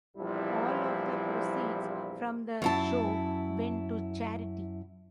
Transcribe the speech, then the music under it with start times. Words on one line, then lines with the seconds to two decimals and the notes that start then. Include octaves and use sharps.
All of the proceeds from the show went to charity.
0.17 A#1 E2 F3 G3 C4 E4
2.62 F#2 E4 A5